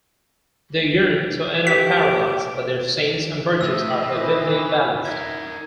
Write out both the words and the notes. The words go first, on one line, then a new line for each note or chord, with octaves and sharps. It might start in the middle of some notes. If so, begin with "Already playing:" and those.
They yearn to enter paradise, but their sins and virtues are evenly balanced.
G4 B6
A2 D#5 E5 E6
E3 C4 B4
D#4 A#4 E5 G#6